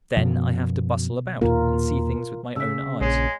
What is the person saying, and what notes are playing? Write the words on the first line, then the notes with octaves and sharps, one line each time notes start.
Then I have to bustle about and see things with my own eyes.
F#2 B2 F3
D#2 A#2 A#3 F4 A#4
C#3 E6 B6
A#1 G#3 C#5